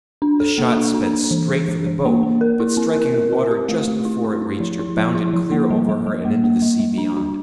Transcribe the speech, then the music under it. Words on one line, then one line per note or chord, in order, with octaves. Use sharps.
The shot sped straight for the boat, but, striking the water just before it reached her, bounded clear over her and into the sea beyond.
D4
A4
A#3
D4
D4
D4
E3
E3
E3
E3
A#3
A#3
A#4
E4
C4
A#4
A#4
C4
G4
A3
A3
E4
E4
E4
F3
E4
F3
E4
F3
A#3
G3
G3
G3
A#3
A#3
G3
G3
D4
D4